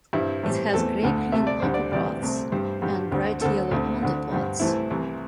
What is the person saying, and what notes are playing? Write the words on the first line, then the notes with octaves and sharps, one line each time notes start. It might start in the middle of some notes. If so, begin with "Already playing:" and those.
It has grey-green upperparts and bright yellow underparts.
G2 G3 C4 E4
A2 E3 G3 C4
E2 E3 A3 C4 A4
D2 D3 A3
C2 C3 A3 E5
D5
D2 D3 G3 C4 C5
D5
D2 C3 E3 G3 D5
C2 C3 A3 C4
G2 G3 C4 C5
G2 D3 G3
D2 D3 C4
D2 D3 C4 A4
D2 C3 A3 C4
D2 D3 C4
G2 D3 G3 C4
C2 C3 E3 A3 C4 E4
C2 C3 E3